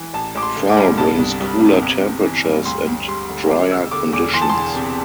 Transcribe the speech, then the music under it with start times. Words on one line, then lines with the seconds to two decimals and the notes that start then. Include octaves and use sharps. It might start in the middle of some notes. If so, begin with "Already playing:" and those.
Fall brings cooler temperatures and dryer conditions.
Already playing: E3
0.13 A1 A5
0.35 A1 D6
0.43 C6
0.56 D3
0.70 D6
0.77 G2
0.98 C2 A5
1.19 C2
1.40 G3
1.60 C3
1.82 G1
2.03 G1
2.24 E3
2.45 G2
2.65 D2 C6
2.87 D2
3.08 G3 C6
3.30 D3
3.50 G3 D6
3.72 E1 E6
3.91 D3 D6
4.12 E2 D6
4.34 E3 C6
4.42 A5
4.49 C6
4.55 E1
4.76 C3